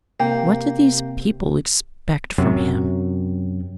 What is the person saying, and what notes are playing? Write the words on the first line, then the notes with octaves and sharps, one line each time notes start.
What did these people expect from him.
C3 A#3 G5
F#2 C3 F#3